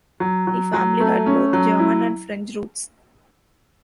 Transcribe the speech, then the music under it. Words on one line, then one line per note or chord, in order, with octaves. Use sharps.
The family had both German and French roots.
F#3
F#3
F#3
A3
C#4
F#3
E4